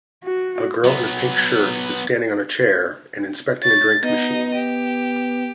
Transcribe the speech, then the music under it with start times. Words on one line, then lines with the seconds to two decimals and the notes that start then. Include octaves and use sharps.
A girl in a pink shirt is standing on a chair and inspecting a drink machine.
0.24 F#4
0.84 F#3 B3
3.62 C#5 A6
4.03 B3 D#4 D#5
4.54 G4